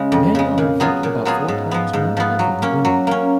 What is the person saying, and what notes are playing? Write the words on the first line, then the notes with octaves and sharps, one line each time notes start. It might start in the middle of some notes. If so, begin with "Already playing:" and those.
Men are affected about four times more often than women.
Already playing: C#3 G#3
F2
C#3 G#3
A#2
F#3 B3 F4 G#4
A#2
F#3 B3 F4 G#4
G#2
F3 B3
G#2
F3 B3
F#3
A#3 C#4
F#3
A#3 C#4